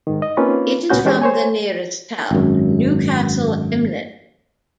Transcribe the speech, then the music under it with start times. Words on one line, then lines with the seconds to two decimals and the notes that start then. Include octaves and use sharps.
It is from the nearest town, Newcastle Emlyn.
0.07 G#2 D#3
0.22 D#5
0.37 A#3 C4 C#4 D#4 F4 B4
0.90 C#2 A#2 B3 C#4 F#4 G6
1.05 E3 G#3 C#4 G4 C5
1.22 C5 C#5 G#5
2.31 G#1 F#2